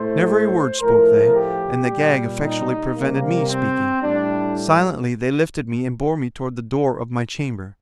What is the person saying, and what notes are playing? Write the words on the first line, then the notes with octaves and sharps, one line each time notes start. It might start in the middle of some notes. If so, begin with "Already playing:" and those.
Never a word spoke they, and the gag effectually prevented me speaking. Silently they lifted me and bore me toward the door of my chamber.
Already playing: A2 A3 C5
A2 F3 A3 A#4
G4
A#2 G3
D#4
C3 G3 A#3
C4
A2 G3 D4